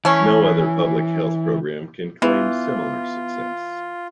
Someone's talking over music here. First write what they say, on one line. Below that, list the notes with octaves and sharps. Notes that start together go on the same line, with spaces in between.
No other public health program can claim similar success.
E3 A3 C#4
E3 B3 F4